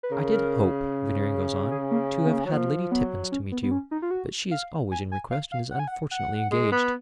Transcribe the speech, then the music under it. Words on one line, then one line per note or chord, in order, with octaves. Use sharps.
'I did hope,' Veneering goes on, 'to have had Lady Tippins to meet you; but she is always in request, and is unfortunately engaged.'
B4
C#3 A#4
G#4
A#3
B3
A#3
F#3
F3 A#3
F#3 B3
C#4
B3
B3
C#4
D#4
F4
F#4
F5
G#5
G#5
F5
F5
F#5
G#5
F#5
F#5
G#3
B3